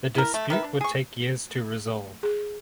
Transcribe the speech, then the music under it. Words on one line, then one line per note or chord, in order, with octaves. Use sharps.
The dispute would take years to resolve.
E4 A#4
A3
D#3 B4 E5
D4
G#4 C#6
G#4